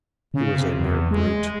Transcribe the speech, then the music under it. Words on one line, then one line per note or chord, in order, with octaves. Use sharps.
He was a mere brute.
C#3
C3
E2
G#3